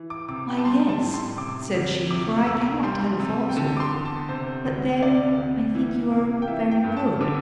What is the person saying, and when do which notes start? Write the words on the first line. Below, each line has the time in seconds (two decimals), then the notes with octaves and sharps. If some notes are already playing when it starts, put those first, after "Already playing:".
"Why, yes," said she, "for I cannot tell a falsehood; but then I think you are very good."
Already playing: E3
0.10 D6
0.29 C3 D6
0.49 G5
0.57 A5
0.65 G3 C6
0.89 A5
1.02 A2
1.14 C6
1.38 C3 D6
1.74 D2
2.10 C3 D6
2.47 C2 E6
2.83 G3 C6
3.20 C3
3.49 G5
3.56 D3 A5
3.77 D6
3.80 C6
3.93 E2
4.05 A5
4.29 C3 C5
4.65 D2
5.02 C3 D5
5.38 D2
5.75 E3
6.11 C3
6.42 G5
6.48 E3 E5
6.71 G5
6.84 G2
6.97 A5
7.21 D3 D6